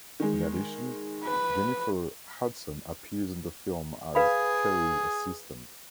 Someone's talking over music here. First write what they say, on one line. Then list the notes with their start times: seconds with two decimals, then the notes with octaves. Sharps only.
In addition, Jennifer Hudson appears in the film as Carrie's assistant.
0.20 D#3 G#3
1.24 B4
4.15 G#4 B4 F5 B5